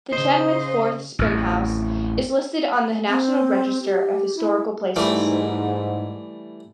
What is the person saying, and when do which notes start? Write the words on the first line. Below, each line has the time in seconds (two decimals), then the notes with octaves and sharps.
The Chenoweth Fort-Springhouse is listed on the National Register of Historical Places.
0.12 C#3 C5 D#5
1.19 A1 F2
3.08 C4
3.82 G4
4.37 E4
4.96 G#2 E3 G3 A3